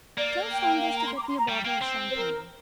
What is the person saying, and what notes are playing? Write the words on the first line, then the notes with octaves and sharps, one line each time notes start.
Tell Saunders to get me a bottle of champagne.
A#3 D5
G5
F5
G5
A#5
C6
D6
A#5
C6
A#5
G3 G5
A#3
C4
C5
A#4